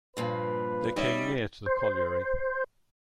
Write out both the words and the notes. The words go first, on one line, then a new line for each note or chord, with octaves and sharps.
They came near to the colliery.
G2 A#2 F3 B4
G3 C#4 D#4 E4 C#5 D#5 E5
C5